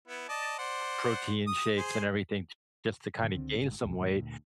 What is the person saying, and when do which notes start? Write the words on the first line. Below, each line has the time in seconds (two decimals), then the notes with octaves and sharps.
protein shakes and everything just to kinda gain some weight,
0.08 B3 E4
0.29 D5 D#5 A5
0.58 C5 D5 F#5
1.47 D#6
1.77 G#4 C5
3.22 G#2 B2 D3 F#3
3.34 C#2 D3 C4
3.59 G1 G#2
3.83 B1 E2 C3 G#3
4.00 A2 D#3 G3
4.12 D2 A#2